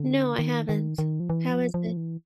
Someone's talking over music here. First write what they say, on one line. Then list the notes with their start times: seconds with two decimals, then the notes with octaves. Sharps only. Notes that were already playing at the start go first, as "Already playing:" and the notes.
No, I haven't. How is it?
Already playing: D3
0.39 D#3
0.69 D#3
0.98 D#3
1.20 F3
1.30 E3
1.51 F3
1.74 F3
1.97 E3